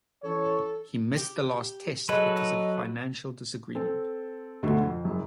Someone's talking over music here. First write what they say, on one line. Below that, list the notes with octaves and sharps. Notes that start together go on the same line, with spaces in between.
He missed the last Test because of a financial disagreement.
E3 C#4 A4 C#5
G4
F#3 G#3 A4 B4
D#4
C4 A4
D2 G#2 B2 D3 A3
F2
F#1 F#2